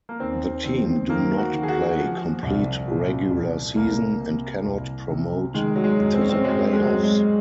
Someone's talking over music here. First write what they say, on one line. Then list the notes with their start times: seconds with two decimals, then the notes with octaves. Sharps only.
The team do not play complete regular season and cannot promote to the playoffs.
0.09 A#3
0.20 D#2 C4
0.64 D#3 C4
1.09 D#3 A#3
1.38 F#4
1.54 D#3
1.63 G#4
1.69 F#4
1.98 F3
2.43 C2
2.87 A#2
3.31 C2
3.76 C2 A#3
4.21 C3
4.65 C2
5.09 C3
5.54 D#3 G#3
5.76 F#3
5.84 G#3
5.99 F#2
6.14 C4
6.21 C#4
6.29 C4
6.44 F#2 G#3
6.73 G#3
6.80 F#3
6.88 F#2 G#3
7.03 G#3